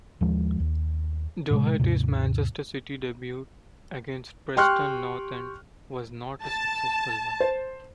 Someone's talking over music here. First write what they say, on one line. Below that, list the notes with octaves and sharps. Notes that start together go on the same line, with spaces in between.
Doherty's Manchester City debut, against Preston North End, was not a successful one.
D#2 F3 G#3
D#2
A2 C3 F3 G#3
D#2 G#2 C3
G4 G5 C6 C#6 F6 F#6
A5
C5